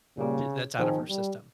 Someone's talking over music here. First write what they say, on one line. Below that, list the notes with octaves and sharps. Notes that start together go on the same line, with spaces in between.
and that's out of her system.
A#2 C#3 G3 A#3
D#3 F3 C4 F4 G#4
G3